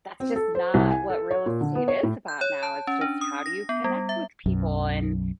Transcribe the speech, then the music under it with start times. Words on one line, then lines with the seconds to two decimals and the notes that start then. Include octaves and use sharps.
"That's just not what real estate is about now. It's just how do you connect with people and,
0.20 C4
0.36 A4
0.55 C5
0.74 C2
0.91 G#5
1.10 A4
1.31 C#5
1.46 A#2
1.61 D3
1.75 B3
1.88 C#5
2.03 A2
2.28 G6
2.41 C#5
2.63 A5
2.87 C#4
3.01 D4
3.21 D#6
3.46 A#6
3.69 B3
3.84 G3
4.09 E5
4.46 B1 F#2